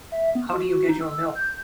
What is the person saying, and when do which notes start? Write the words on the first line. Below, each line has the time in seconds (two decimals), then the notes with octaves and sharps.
How do you get your milk?
0.12 E5
0.35 B3
0.53 F#4
0.88 D#4
1.01 E6
1.35 G6